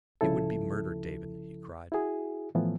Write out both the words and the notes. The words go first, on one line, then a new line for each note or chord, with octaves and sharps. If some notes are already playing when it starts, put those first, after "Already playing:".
"It would be murder, David," he cried.
C2 C#3 F3 E4 A4
E4 F#4 G#4
A2 E3 F3 B3